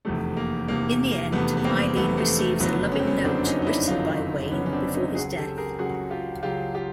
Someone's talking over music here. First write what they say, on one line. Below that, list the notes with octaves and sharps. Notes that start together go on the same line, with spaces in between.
In the end, Eileen receives a loving note written by Wayne before his death.
F1 E2 C3 A3
A#3
F1 E2 C3 A#3
A#3
F1 E2 C3 A3 B3
B3
A#3 C4
F1 E2 C3 A3 B3
A3
A3
F#1 F2 D3 F#3 A3 B3
C#4
C4
B3 C#4
F#1 F2 D3 F#3 C4 D4
D4
C#4 D#4
D#4
D4 E4
F#1 F2 D3 F#3 D#4 F4
F#1 F2 D3 F#3 B3 C#4
C#4
C4 D4
D4
C#4 D#4
C#2 C#3 F#3 F#4 G#4
G4 A4
G#4 A#4
C#2 C#3 F#3 F#4 G#4
F4 G4
C#2 C#3 F#3 F4 G4
F4 G4